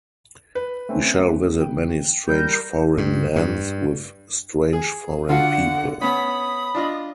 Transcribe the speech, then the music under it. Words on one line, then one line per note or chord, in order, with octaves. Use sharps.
We shall visit many strange foreign lands with strange foreign people.
B4
A3 C4 C#4
G5
G3 A#4 G6
G2
G2
G#4
D3 F4 F#4 F5 F#5
B3 C#4 B5 D#6
D4 F4 D#5